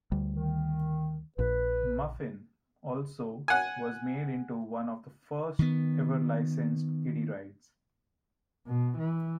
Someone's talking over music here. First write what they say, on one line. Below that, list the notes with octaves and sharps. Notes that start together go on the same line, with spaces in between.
Muffin also was made into one of the first ever licensed kiddie rides.
D2 G3
D#3
A#1 A#2 B4
F#5 G#5
D#3 B3
B2
E3